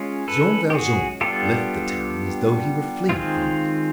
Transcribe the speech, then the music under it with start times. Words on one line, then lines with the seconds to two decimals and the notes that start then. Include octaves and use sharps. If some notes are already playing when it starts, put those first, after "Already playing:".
Jean Valjean left the town as though he were fleeing from it.
Already playing: G#3 C#4 F4
0.28 A4 B4
0.70 G4
0.74 F#4 G#4
1.21 G3 B3 D4 F4 G4 A4
3.09 D#3 G#3 C4 F4